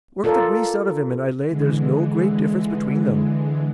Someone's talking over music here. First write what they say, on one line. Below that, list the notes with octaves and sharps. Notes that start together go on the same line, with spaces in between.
Work the grease out of him and I lay there's no great difference between them.
F4 A4 A#4 D5
D3 E3 G#3